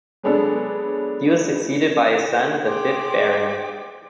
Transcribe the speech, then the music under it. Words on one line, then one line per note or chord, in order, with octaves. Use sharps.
He was succeeded by his son, the fifth Baron.
F#3 G#3 B3 D4 A4
G#4 G5 C6 D6